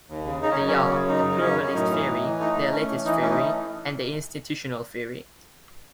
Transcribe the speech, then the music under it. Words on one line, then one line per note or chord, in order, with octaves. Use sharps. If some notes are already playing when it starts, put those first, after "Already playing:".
They are; the pluralist theory, the elitist theory, and the institutional theory.
D#2
C#3
C#3 D#4
C#4
F#2
C#4
C#3
F#2
C#3 D#4
F#2
D#4
F#2 C#4
F#2
C#4
A2 D#4
E3
A2
E3
A3 D#4
A3
A3 C#4
E3
E3 D#4
A3 C#4
D#4